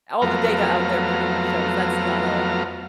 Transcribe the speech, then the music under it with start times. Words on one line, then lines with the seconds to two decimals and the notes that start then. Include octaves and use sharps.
all the data out there pretty much shows, that's not a
0.22 F2 F#3 A3 B3 F5 A#5